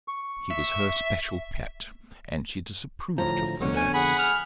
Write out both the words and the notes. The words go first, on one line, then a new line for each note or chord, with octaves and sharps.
He was her special pet, and she disapproved of the nurse.
C#6
E5
D2 A2 F3 A#5
F2 B2 D3 C#4
G#5
G#4 F#5 B5
F6